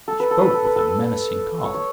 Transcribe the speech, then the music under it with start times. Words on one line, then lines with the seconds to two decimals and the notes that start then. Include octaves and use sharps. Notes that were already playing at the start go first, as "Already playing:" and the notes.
He spoke with a menacing calm.
0.08 A4
0.20 B4
0.31 A4
0.42 B4
0.54 A4
0.65 B4
0.76 A4
0.88 B4
1.00 A4
1.64 C#5
1.74 C#5